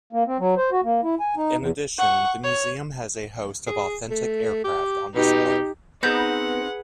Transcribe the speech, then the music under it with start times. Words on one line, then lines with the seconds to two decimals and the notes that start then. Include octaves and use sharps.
In addition the museum has a host of authentic aircraft on display.
0.13 A#3
0.27 C4
0.39 F#3
0.57 C5
0.72 F#4
0.84 A#3
1.04 E4
1.20 G#5
1.37 D#4
1.58 E2
1.99 F#5 C#6
2.44 C#5
3.67 G#4
4.10 A3
4.64 G4
5.15 B2 D#4 G4
6.03 B3 C4 D#4 G#4 B4 F#5 G6